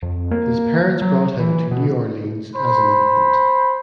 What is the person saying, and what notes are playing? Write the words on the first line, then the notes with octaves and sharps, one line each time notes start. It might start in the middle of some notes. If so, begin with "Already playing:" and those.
His parents brought him to New Orleans as an infant.
F2
A#3
F#3
E3
B2
C5 B5